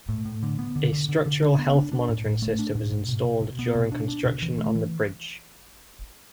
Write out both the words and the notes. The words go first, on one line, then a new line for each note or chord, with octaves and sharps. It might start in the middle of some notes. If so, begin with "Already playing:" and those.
A structural health monitoring system was installed during construction on the bridge.
A2
A2
D3
B3
D3
D3
D3
D3
D4
B3
D4
D4
A2
A2
A3
D4
A2
A2
B2
B2
B2
B3
B2
D4
D4
B2
E3
A3
E3